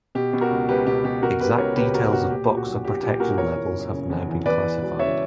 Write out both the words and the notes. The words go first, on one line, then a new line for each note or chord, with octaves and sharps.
Exact details of Boxer protection levels have now been classified.
B2 G4
B2
F#4 A#4
C#2
C#2 G4 B4
B2 G4
B2 G4
B2 F#4 A#4
B2 G4 B4
C#2 A#4 C#5
C#2 G4 B4
B2 F#4 A#4
B2 F#4 A#4
A#2 G4
A#2
F#4
B1
B1 G4
A#2 G4
A#2 F#4 A#4
E2 A#4 C#5
E3
F#1
C#3
E2
E3
E2 B4 D5
E3
E1
C#3 C#5 E5